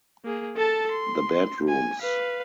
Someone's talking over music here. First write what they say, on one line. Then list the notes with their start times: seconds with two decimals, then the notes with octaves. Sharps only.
The bedrooms.
0.25 A#3 G#4
0.57 A4 A5
0.92 C6
1.68 G#5
2.01 B4 F5